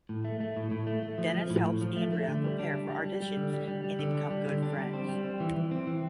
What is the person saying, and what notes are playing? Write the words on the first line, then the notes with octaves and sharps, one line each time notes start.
Dennis helps Andrea prepare for auditions and they become good friends.
A2
A3
A3
A2
A2
A3
A3
F3
F3
A2
A2
F3
A3
A3
D3
G3
D4
G3
G3
G3
G3
D3
G3
G3
G3
D3
D4
G3
D3
D4
G3
C4
G3
C4
E3
E3
C4
E3